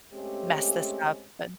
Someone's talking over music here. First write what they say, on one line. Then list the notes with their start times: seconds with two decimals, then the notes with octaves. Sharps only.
mess this up, and
0.13 G#3 A3 C4 C#4 G4